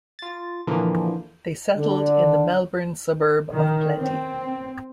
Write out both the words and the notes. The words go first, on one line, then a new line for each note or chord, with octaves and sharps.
They settled in the Melbourne suburb of Plenty.
F4 A6
A#2 D3 E3 F3 A#3
D3
D#3
C4